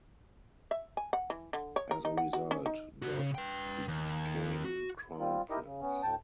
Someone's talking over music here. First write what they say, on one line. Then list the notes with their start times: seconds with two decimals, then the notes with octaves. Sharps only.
As a result, George became Crown Prince.
0.71 E5
0.97 G#5
1.13 F#5
1.30 E3
1.53 D3
1.76 C#5
1.91 A#4
2.05 D#4
2.17 F#5
2.33 F#4
2.51 C#4
2.66 D#4
3.02 C#3 F#4
3.19 C#3
3.35 B4 G5
3.88 D#2
4.65 F#4
5.19 G3 C4 F4
5.50 D#4 E4 G4 A#4 D#5
5.65 C#3
5.81 B3 C#4
6.03 D2 A2 G5 A5